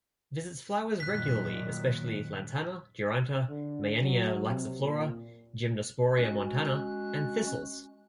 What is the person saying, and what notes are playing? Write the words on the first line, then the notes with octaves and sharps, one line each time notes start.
Visits flowers regularly especially "Lantana", "Duranta", "Meyenia laxiflora", "Gymnosporia montana", and thistles.
F#2 A#2 D#3 F#6 B6
D3
F#3
C3
A#2
G#3 C#4 F#4 F#6